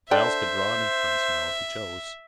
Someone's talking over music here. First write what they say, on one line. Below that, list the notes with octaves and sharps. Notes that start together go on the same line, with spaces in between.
Giles could draw an inference now if he chose.
D4 A4 C5 E5 G5